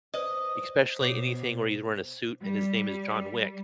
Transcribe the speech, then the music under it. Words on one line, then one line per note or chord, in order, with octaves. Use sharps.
especially anything where he's wearing a suit and his name is John Wick.
B4 C5 D5 D#5
B2 C#5 D6 C7
G3